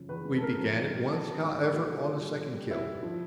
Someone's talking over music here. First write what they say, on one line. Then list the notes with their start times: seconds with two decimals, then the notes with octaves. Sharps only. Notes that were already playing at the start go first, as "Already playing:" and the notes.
We began at once, however, on a second kiln.
Already playing: F#2 C#3 F3
0.09 E2 B4
0.25 G#3
0.36 A4
0.43 G#3 A#4
0.58 F3
0.75 G#2
0.91 G#2
1.07 F#3 A4
1.23 D#3
1.40 G#2
1.57 G#2
1.72 A#2 G4
1.89 G3 F#4
2.05 A#2 F4
2.21 G3
2.37 B2
2.54 G3
2.70 B2 E4
2.87 G3
3.03 F3